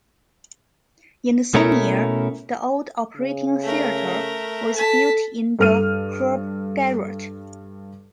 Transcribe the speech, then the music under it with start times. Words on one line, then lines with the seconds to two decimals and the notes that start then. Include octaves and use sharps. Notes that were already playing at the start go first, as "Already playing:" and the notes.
In the same year, the Old Operating Theatre was built in the Herb Garret.
1.54 B2 A3 C#4 E4 A#4
3.16 C#3
3.62 A3 A#4
4.76 A4 A5 B6
5.59 G2 A4 F6 D#7